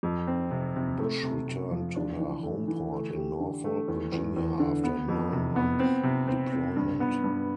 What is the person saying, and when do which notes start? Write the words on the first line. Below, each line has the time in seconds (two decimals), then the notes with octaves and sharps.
Bush returned to her homeport in Norfolk, Virginia after a nine-month deployment.
0.03 F2
0.27 C4
0.51 C3
0.76 C3
1.00 A3
1.23 C3
1.47 C3
1.71 F3
1.96 D4
2.20 E3
2.43 A3
2.68 E3
2.92 A3
3.16 G4
3.40 D3
3.64 A3
3.88 E2
4.12 E2
4.37 E2
4.60 D3
4.84 B3
5.08 F2
5.32 C3
5.56 B3
5.79 C4
6.03 C3
6.28 C4
6.52 C4
6.77 G2
7.00 B3
7.24 G2